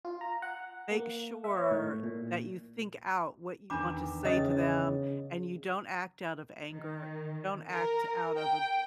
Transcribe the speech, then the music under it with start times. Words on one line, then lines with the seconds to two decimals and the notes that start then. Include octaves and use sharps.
make sure that you think out what you want to say to them, and you don't act out of anger, don't act out of you
0.05 F4
0.21 A#5
0.42 F#5
0.91 A#3
1.44 E5
1.57 C#5
1.71 A2
2.03 A#2
3.70 E2 D#3 D4 B5 D6
4.23 C#3 C#4 D#5 D#6
6.70 D#3
7.71 A#4
8.36 G5